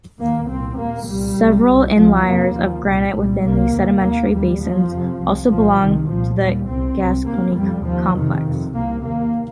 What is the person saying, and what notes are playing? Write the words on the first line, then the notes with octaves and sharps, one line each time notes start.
Several inliers of granite within these sedimentary basins also belong to the Gascoyne Complex.
D#2 A#3
C2 A#2 C4
D#2 A#3
C2 A#2 G3
C2 C3
C2 A#2
C2 C3 F3
F2 C3 A#3
D#2 F3
C2 A#2 G3
C2 A#2 G3
C2 C3 A#3
D#2
D#2 A#3
D#2 G3
D#2 F3
F2 C3
C2 C3
C2 A#2 F3
C2 C3 D#3
C2 A#2 F3
D#2 G3
C2 C3 C4
C2 C3
D#2 A#3
F2 C3 G3
D#2 F3
F2 C3 D#3
F2 C3
C2 C3 A#3
D#2 A#3